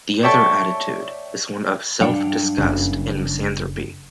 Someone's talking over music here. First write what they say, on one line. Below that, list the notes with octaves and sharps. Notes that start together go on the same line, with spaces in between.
The other attitude is one of self-disgust and misanthropy.
C#5 D5 E5 G5 A5 C#6
G2 F#3 D4 F5 G5 C#7
F#1 F#2 C#3